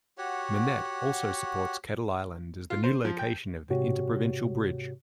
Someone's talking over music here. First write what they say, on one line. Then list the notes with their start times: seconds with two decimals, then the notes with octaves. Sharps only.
Monette also supports Kettle Island as the new location of the Interprovincial Bridge.
0.18 F#4 G4 C#5 F#5
2.70 F4
2.84 C5
3.05 F3
3.19 G5
3.70 G#2 C3 F#4 G4 C#5